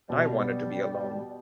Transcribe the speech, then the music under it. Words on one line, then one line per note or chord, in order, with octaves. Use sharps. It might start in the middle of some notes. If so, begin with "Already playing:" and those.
I wanted to be alone.
B2 G3
B3